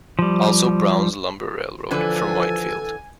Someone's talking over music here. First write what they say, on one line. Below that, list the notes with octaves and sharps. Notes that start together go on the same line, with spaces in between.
Also Brown's lumber railroad, from Whitefield.
F3 G3
D3 E3 F3 A4 B4 G#5